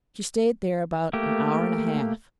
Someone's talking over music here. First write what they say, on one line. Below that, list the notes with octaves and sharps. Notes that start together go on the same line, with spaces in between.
She stayed there about an hour and a half.
A3 A#3 G4